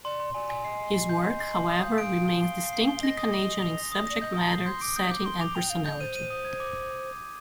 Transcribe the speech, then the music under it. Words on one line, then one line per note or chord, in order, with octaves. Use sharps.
His work, however, remains distinctly Canadian in subject matter, setting and personality.
D5 C6
C6
D5 G#5
G#5
D#5 C7
C7
C7
G6
C6
C7
C6
D#6
F5 G6
D7
D7
G7
C7
C7
C7
G7
F5
D#5 A#6
D#6
G7
D#6
F7
A#6
D#6
D5 A#6
D#5 G6
A#5 G7
C7
C6 G6
D6 D7
D#6 G6
D6 G6
C6 G7
D6 F7
G5 F7
F5 F7
D#5 G6
D5
C5 D#7
D#7
D#6
G#6
D6